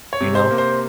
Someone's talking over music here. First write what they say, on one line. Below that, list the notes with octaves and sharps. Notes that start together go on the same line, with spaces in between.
You know?
C#5
C3
C5
A#3
C5